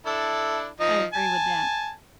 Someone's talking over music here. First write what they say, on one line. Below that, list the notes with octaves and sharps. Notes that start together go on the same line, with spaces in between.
I agree with that.
D4 E4 A4
F3 D#4 D#5
G#5 A5